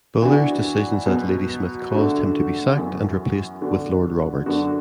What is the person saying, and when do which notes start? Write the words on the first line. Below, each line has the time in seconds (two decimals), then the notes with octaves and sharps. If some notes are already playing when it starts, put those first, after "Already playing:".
Buller's decisions at Ladysmith caused him to be sacked and replaced with Lord Roberts.
0.22 E3 B3 D4 F#4
1.06 B2 F#3 B3
1.92 D3 A3 D4 F#4
2.76 F#2 E3 B3 F#4
3.61 D3 B3 D4 F#4
4.46 F#2 D3 B3 D4 F#4